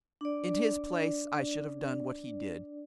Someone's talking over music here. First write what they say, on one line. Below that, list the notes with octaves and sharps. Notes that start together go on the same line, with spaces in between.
In his place I should have done what he did.
D4 D5